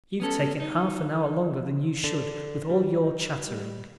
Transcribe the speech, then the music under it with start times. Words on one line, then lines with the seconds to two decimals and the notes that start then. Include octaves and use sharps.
You've taken half an hour longer than you should with all your chattering.
0.20 B3 C#4 A4
0.60 D#4
2.04 D3
2.69 G3
3.02 D#4
3.48 G3